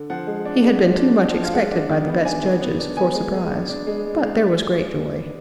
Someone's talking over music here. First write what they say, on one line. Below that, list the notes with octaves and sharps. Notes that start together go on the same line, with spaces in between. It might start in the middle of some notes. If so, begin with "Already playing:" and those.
He had been too much expected by the best judges, for surprize--but there was great joy.
Already playing: D3
F3 F#5
G#3
D4
G#3
F3
D4
F3
F3
F5
G#3 F#5
D4
D#3
B3
D4 G#5
D#3
B3
D4
B3 G#5
G#3
G#3
D4
D4
G#3
G#3
G#3